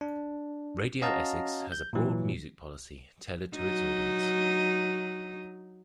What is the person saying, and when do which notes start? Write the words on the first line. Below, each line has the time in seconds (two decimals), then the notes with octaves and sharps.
Radio Essex has a broad music policy, tailored to its audience.
0.01 D4
1.02 C#4 F#4 D#5 F5 A5 A#5
1.72 G6
1.93 A#2 E3 F#3
3.56 F#3 D#4